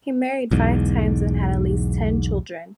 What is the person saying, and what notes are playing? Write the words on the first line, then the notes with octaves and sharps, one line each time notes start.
He married five times and had at least ten children.
B1 E2 G#2